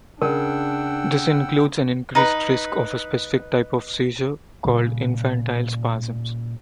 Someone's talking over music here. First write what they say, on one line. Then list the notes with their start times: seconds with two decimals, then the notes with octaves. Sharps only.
This includes an increased risk of a specific type of seizure called infantile spasms.
0.22 C#3 D4 A#4 F#5 G5 E6
2.15 D#4 B4
4.65 A#2 C#3 G3